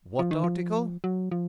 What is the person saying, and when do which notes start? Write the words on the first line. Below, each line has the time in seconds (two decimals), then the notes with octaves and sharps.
"What article?"
0.19 F3
0.31 D#3
0.44 F3
1.04 F#3
1.31 F3